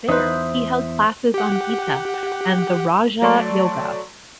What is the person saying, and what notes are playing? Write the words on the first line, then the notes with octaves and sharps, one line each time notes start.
There he held classes on Gita and the Raja Yoga.
E2 D#4 B4 C5 E5 D#6
G4 F#5
F#3 A3 D5 A5 C6 C#6